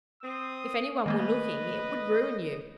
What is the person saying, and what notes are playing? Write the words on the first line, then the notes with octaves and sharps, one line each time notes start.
If any one were looking, it would ruin you.
C4 D#6
D#3 A3 A#3 B4 D#5